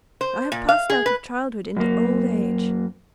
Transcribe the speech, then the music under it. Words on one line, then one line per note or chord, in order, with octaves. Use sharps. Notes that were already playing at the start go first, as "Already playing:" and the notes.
I have passed out of childhood into old age.
C5
A#2
F5
G#4
B4
F#2 A#3